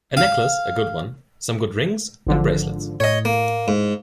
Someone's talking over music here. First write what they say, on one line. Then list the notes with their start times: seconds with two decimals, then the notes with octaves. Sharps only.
A necklace — a good one — some good rings, and bracelets.
0.17 F5
2.27 G#1 D3 F3
3.00 A2 C#5 D#5
3.25 A#3
3.68 G#2